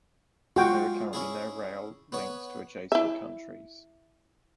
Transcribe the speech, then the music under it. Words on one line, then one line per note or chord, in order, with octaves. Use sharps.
There are currently no rail links to adjacent countries.
G#3 F4 F#4 G5
C#4 E4 G#4
B3 C#5
E4 E5